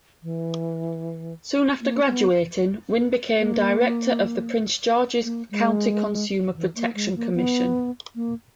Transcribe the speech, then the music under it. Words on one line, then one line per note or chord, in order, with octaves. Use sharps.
Soon after graduating, Wynn became director of the Prince George's County Consumer Protection Commission.
E3
A#3
B3
A#3
A#3
G#3
E3
A#3
G#3
A#3
B3
A#3